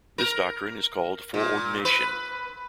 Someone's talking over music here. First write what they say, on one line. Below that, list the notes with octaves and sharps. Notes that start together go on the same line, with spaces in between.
This doctrine is called "foreordination".
A#4
A#2
B4